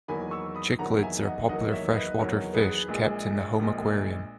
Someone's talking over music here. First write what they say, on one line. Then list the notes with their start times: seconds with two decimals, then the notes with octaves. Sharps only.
Cichlids are popular freshwater fish kept in the home aquarium.
0.08 E2 D#3 F#3 A#3 G#5 B5
0.31 C#6 E6
0.55 B5 D#6
0.79 E2 D#3 F#3 A#3 F#5 A#5
1.02 E5 G#5
1.25 D#5 F#5
1.48 E2 D#3 F#3 A#3 D#5 F#5
1.72 C#5 E5
1.95 B4 D#5
2.19 E2 D#3 F#3 A#3 A#4 C#5
2.53 G#4 B4
2.88 A#1 A#2 G#3
3.60 A#1 A#2 G#3